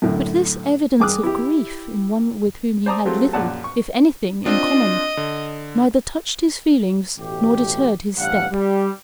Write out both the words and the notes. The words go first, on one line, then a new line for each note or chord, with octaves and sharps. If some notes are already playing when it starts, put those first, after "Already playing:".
But this evidence of grief in one with whom he had little, if anything, in common, neither touched his feelings nor deterred his step.
F#2 A2 D3
G2 G#4 D6 D#6 F6 F#6
E4 G4
C5 D5 A5 A#5 D6 D#6
F#3 G#3 A3 C4 F4 G4
A#1 F#2 A#2 D5 F#5 A5
C#6
C4 D4 F4 D#5
D3
A1 B2 A3 G4
A1 G2 F5 F#5
G3